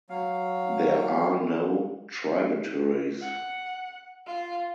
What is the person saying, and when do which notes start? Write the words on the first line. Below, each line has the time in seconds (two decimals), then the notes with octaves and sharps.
There are no tributaries.
0.10 F#3 F5
3.22 F#5
4.26 F4